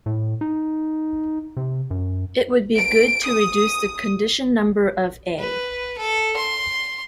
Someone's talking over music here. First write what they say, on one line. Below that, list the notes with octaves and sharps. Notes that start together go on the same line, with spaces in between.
It would be good to reduce the condition number of "A".
A2
D#4
C3
F#2
D7
D#6
B4
A4
C6